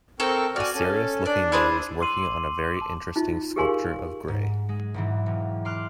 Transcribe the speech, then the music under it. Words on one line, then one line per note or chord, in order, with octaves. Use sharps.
A serious looking man is working on a very interesting sculpture of gray.
C4 A4 A#4 G5 C#6
F#4 D5 G#5 F6
C#4 A4
D4 D5
E4 G#4 C5
C6 D6 E6 C7 D#7 F#7
A5 D6
D#4 F4
G4 G#4 A#4 F5 G#5 C6
G#2
G#3
B1 G#2 E3
E1
C6 D6 F6 F#6